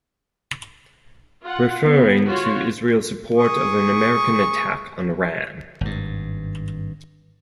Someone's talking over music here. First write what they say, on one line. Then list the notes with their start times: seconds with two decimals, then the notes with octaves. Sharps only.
Referring to Israel's support of an American attack on Iran.
1.42 F4 F#5
1.83 B3
2.27 F4 F#4 C#5
3.38 G#4 C#6 D#6
5.81 G#1 G2